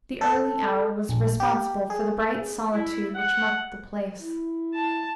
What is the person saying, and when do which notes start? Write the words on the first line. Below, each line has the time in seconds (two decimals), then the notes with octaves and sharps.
The early hour was responsible for the bright solitude which marked the place.
0.21 A4
1.09 A#1
1.40 G4
1.90 G#4
2.73 E4
3.15 F#5
4.21 E4
4.75 A5